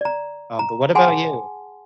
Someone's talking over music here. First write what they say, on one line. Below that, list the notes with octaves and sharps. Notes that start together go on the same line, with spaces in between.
Um, but what about you?
D5 A#5
A#5
G#4 F#5 G#5 A5 C6